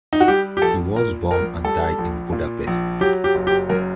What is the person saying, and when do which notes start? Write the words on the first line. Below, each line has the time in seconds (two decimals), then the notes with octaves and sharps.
He was born and died in Budapest.
0.13 D#4
0.20 F#4
0.28 G3 G4
0.57 G4
0.62 A#1 A4
0.96 A#2 A#4
1.31 A#1 A#4
1.64 G3 A4
1.98 A#1
2.32 A#2
2.67 A#1
3.01 F#3 G4
3.24 G4
3.35 F#1
3.47 G4
3.69 F#2 A#4